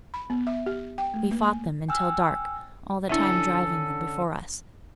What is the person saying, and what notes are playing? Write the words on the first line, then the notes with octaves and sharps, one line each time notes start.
We fought them until dark, all the time driving them before us.
B5
B3
E5
G4
G5
A3
A#3
G#5
G5 G#5 E6 F6
D3 C#4 D4 E4 A4 E5